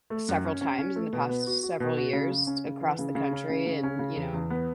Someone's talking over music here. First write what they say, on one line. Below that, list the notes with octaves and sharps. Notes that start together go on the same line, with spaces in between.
several times in the past several years across the country and, you know,
A3
F#2
C#4
C#4
C#4
A3
B2
B3
F#4
F#4
B2
F#4
C#3
C#3
C#4
C#3
E3
C#3
C#3
C#4
C#3
C#3
C#4
C#3
E2
E2
B3